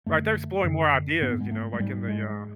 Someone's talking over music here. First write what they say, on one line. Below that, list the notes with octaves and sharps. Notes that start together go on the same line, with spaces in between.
Right, they're exploring more ideas, you know, like in the j uh
F#2 D3 A3
F#2 D3
G#2 B3
G#3
A3
G#3
G#2 G3
G#3